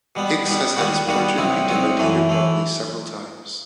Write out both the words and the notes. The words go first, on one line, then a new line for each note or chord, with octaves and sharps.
Hicks has had his portrait painted by David Bromley several times.
B2 G3 B3
B2 G3 B3
D#2 D#3 G3 B3 F#4
D#2 D#3 G3 B3 F#4
C2 C3 F#3 C4 D#4
C2 C3 F#3 C4 D#4
F#2 E3 A3
E3 A3